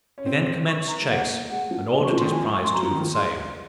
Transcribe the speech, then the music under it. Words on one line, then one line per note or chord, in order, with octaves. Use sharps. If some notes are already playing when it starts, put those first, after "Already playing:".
He then commenced chase, and ordered his prize to do the same.
C#4
C4
C#6
A#5
G#3
A#3 F#5
G#3 F#5
F3
D#5
F#3
C#6
F3
C6
D#3
F3 G#5
C#6
C6
F#3 A#5
F3
D#3
F3
G#3 C6